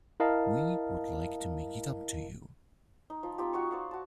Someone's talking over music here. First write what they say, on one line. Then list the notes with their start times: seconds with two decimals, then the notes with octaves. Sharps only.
We would like to make it up to you.
0.20 E4 A#4 D#5 F5 A5
3.10 D#4
3.23 F3
3.38 C4 D#4 F4 G4
3.53 F#4 C#5 D#5 C#6
3.71 C5 D5 F5
3.91 F#4 A5